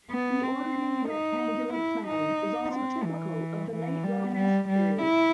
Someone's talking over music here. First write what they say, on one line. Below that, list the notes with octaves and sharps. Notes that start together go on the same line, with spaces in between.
The orderly, rectangular plan is also typical of the late Romanesque period.
B3
C4
D#4
E4
D#4
C4
E3
E3
G3
G3
G3
E4